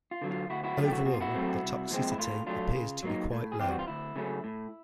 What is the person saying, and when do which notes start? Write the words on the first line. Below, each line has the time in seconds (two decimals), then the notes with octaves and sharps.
Overall, the toxicity appears to be quite low.
0.11 F4
0.22 D3 F#3
0.31 F4
0.50 D2 E4 F#4
0.64 E4 F#4
0.77 D3 F#3 A3 F4
0.85 G4
0.91 E4 F#4
1.05 B2 F#4
1.13 F4
1.21 E4 F#4
1.34 F#3 A3 C4
1.62 C2
1.91 A#2 F3 G#3 C4
2.11 E4
2.18 A2 F4
2.46 F#3 A3 D4 F4
2.75 C#3
3.03 F#3 A#3 D#4
3.32 A2
3.52 G#4
3.59 E3 G3 C4 G4
3.70 F#4
3.79 F4
3.88 D2 E4
4.16 C#3 F#3 A3 C#4
4.44 A2